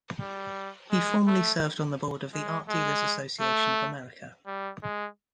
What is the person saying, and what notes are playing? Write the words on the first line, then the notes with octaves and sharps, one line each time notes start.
He formerly served on the board of the Art Dealers Association of America.
G3
G#3
A3
G#3
G#3
A3
G3
G#3